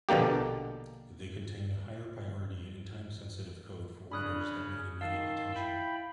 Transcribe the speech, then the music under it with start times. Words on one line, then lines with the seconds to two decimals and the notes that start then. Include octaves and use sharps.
They contain a higher priority and time-sensitive code for orders that need immediate attention.
0.09 A#1 B2 D3 A#3 G4
4.12 C#3 C#4 D4 B5 D#6 F#6
5.01 D#3 F5 A5 C6 E6
5.55 E4 G5 B5